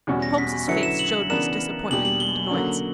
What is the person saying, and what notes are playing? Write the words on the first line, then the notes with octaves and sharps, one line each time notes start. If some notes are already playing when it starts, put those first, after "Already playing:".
Holmes's face showed his disappointment and annoyance.
E2 B2 G3 C#4 F#4
A#6
B6
D3 F#3 C#4 E4 B4 C#7
E7
F#7
C#3 E3 B3 D4 A#4 E7
E2 B2 A#3 D4 G4 F#7
F#7
G7
D3 F#3 A#3 C#4